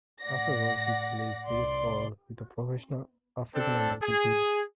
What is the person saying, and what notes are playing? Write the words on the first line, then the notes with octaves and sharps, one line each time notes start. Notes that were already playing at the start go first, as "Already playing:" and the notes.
Afterward, he plays baseball with a professional African-American team.
A2 D5 F#5 A#6
C2 D5 C6
C4 D4 A4
G#4